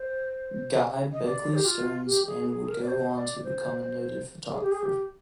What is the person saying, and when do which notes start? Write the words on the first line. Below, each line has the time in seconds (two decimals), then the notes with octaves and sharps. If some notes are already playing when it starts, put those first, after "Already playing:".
Guy Beckley Stearns and would go on to become a noted photographer.
Already playing: C5
1.12 D#5
1.23 D5
1.54 G4
1.65 F4
2.05 G4
2.27 G#4
2.48 G#4
2.62 G#4
2.68 A#4
2.81 D5
2.88 C5
3.15 D5
3.44 C5
4.54 G#4
4.62 G4
4.71 G#4
4.81 G4